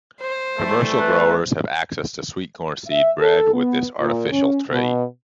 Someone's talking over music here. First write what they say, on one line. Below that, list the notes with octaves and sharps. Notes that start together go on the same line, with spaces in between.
Commercial growers have access to sweet corn seed bred with this artificial trait.
C5
E3 G3 A3
B4
E5
A4
B3
A#2
C#4
B2